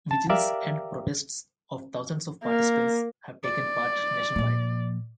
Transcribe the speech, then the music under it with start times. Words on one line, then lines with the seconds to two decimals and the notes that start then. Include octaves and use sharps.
Vigils and protests of thousands of participants have taken part nationwide.
0.11 A5
0.29 G4 A#4 D5 E5 F5
2.44 A#3
3.43 D5
4.36 A#2 F3